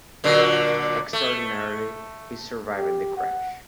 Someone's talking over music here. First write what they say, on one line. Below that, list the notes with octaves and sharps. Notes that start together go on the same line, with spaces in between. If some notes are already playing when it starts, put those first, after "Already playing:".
Extraordinarily he survived the crash.
A#2 D3 F#3
A3
G4
F#5